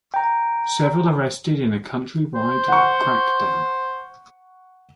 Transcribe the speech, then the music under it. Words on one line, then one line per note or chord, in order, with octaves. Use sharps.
Several arrested in a countrywide crackdown.
G5 A#5
C5
F#5 C#6